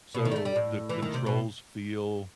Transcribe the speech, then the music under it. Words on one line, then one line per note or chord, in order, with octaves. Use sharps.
so the controls feel
B2
D#3
G3
A3
G3
A2
E3
D#3
C3
B2